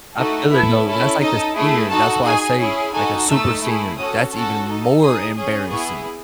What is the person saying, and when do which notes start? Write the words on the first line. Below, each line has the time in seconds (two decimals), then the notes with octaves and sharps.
I feel it, though, that's like the senior. That's why I say, like, a super senior, that's even more embarrassing,
0.16 A3 D#4 F#4 A4
0.51 B3 E4 A4 E5
0.86 C#4 E4 A4
1.20 D#4 A4 D#5
1.56 A3 E4 G#4
1.90 D#4 F#4 A4 A5
2.25 D#4 G#4 G#5
2.60 C#4 E4 G#4
2.93 D#4 F#4 A4 G#5
3.29 A3 D#4 A4 E6
3.63 A3 E4 G#4
3.98 C#4 F#4 A4 D#6
4.32 C#4 F#4 A4
4.68 D#4 A4
5.02 D#4 G#4 D#6
5.36 C#4 G#4
5.71 B3 E4 G#4 C#6